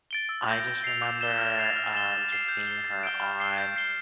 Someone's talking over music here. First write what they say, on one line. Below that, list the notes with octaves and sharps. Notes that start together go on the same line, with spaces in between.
I just remember, um, just seeing her on,
A6 D7 G7
E6
G6 A#6
G6
C7 F7
D6
A6 E7 G7
F6
A6 C7 F7
F6
A6 E7 G7
A6
C7 G7
G6
C7 G7
A6
D7 G7
F6
C7 G7
G6
C7 G7